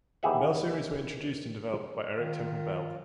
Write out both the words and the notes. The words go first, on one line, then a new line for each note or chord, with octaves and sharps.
Bell series were introduced and developed by Eric Temple Bell.
D#2 E3 G4 G#4 E5 F#5
D#3 F4